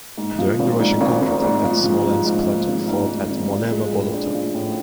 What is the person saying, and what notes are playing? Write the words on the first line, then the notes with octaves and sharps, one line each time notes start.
During the Russian counter-attack at Smolensk Platov fought at Molevo Boloto.
G#2
F3
G#1
G#2
G#1
G#1
G#2
F3
F3
F3
G#2
F3
G#1
G#2
G#2
G#1
F3
G#3
A2
D4
F3
A2